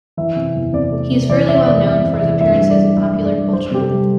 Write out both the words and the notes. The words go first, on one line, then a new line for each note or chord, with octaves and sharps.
He is fairly well known for his appearances in popular culture.
E3 E5
C3
E2
C3 D5
A3
C3
E3 D5
C3 E5
E2 D5
C3 E5
C3
E5
E3
G2 E5
G3
D5
G3
G3 E5
G2
D5
G3
D5
G3 C5
C3 G4
A4
G3